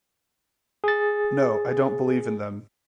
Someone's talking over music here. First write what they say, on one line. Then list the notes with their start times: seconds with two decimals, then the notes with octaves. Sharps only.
No, I don't believe in them.
0.84 G#4 A6